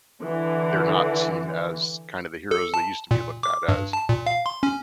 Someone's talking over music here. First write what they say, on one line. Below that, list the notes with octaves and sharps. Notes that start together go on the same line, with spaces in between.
they're not seen as, kind of, the heroes they used to be looked at as.
D3 E3
A4
A5
A#2
D6
G2
A5
A#2
F5
C6
C#4